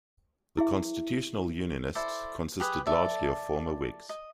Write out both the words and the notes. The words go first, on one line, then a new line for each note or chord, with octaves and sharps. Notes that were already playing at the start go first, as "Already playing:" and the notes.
The Constitutional Unionists consisted largely of former Whigs.
E4 G#4 E5
E4 A4 C5 D5
G4 G#4 B4 D#6
A4 D5 E5 A5
D#5